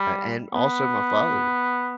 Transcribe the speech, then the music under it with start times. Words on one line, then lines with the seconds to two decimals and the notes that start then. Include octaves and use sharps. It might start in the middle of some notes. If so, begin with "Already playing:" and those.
and also my father,
Already playing: G3
0.54 B3